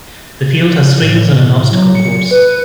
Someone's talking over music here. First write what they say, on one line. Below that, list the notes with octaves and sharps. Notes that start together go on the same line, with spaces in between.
The field has swings and an obstacle course.
A2
F#3
C#7
B4